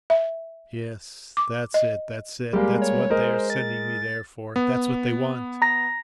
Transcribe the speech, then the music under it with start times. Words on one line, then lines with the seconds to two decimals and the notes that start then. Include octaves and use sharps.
Yes, that's it, that's it, that's what they are sending me there for, that's what they want.
0.10 E5
1.37 D6
1.74 D#5
2.53 G3 G#3 A#3 G4
2.82 C#5
3.10 G#3 A#4 C5 D#5
3.50 A6
4.56 B3
5.62 A#5 A#6